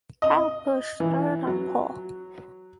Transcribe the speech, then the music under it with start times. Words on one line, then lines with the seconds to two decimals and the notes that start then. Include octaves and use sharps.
Kyle Busch started on pole.
0.22 D#5
1.00 E3
1.47 F#3